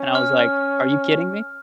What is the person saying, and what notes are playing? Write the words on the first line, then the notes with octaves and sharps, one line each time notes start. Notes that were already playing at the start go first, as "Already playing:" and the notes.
And I was like, "Are you kidding me?"
Already playing: C#4
F6